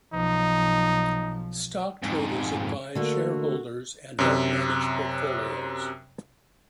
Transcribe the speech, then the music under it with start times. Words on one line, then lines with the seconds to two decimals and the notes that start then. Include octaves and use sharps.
Stock traders advise shareholders and help manage portfolios.
0.13 B1 F3 D#4
2.03 F2 G#2
2.95 D3 A3 A#3 F#4
4.19 F#2 C3